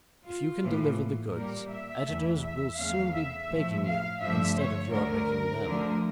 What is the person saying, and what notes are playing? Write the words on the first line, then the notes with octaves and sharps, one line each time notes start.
If you can deliver the goods editors will soon be begging you instead of your begging them.
F4
A2 E3 A#3
A#2 G3 A#3 A#4
E5
E2 E3 A3
E5
E2 C#3 F3 A3 F5
E5
A2 F3 A3
F5
G2 D3 F3 A3 E5
C#5
D2 D3 A3 A#4
D2 D3 F3 A3